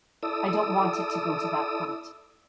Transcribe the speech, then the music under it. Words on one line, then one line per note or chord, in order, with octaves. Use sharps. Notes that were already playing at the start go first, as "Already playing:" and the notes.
I don’t want it to go to that point.
E4 A4 D5 D#6 E6